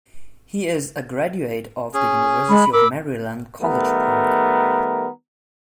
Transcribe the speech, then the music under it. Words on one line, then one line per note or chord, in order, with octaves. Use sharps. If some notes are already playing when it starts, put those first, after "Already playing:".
He is a graduate of the University of Maryland, College Park.
C#4 G#4
G#3 B5
A#4 B5 D6 E6
D#3 G3 A3 B3 A#4